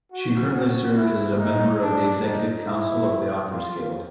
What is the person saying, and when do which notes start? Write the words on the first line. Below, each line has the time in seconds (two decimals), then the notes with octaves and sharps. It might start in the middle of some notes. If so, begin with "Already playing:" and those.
She currently serves as a member of the executive council of the Authors Guild.
0.12 F#4
0.54 F#4
0.97 E4
1.39 D#4
1.82 D4
2.23 D#4
2.66 E4
3.51 F4